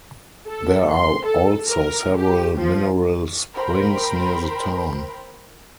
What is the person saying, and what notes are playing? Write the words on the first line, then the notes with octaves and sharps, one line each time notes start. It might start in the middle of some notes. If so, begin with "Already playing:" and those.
There are also several mineral springs near the town.
A4
C6
A4
A#4
G4
F3
A#4 C5 G5 B5